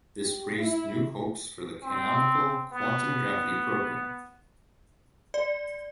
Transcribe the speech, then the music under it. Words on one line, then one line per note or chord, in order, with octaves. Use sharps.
This raised new hopes for the canonical quantum gravity programme.
G4
E4
C4
B3
D5